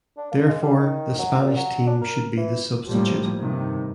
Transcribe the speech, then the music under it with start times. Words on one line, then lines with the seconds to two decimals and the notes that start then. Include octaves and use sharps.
Therefore the Spanish team should be the substitute.
0.17 D4
0.32 A#3
0.48 G#3
0.62 G3
0.78 D#3
1.18 F#3
1.42 A#2
1.56 F#3
1.87 D4
2.01 A#4
2.37 E3
2.88 A2 F3 G3 A#3
3.38 G2 C3 D#3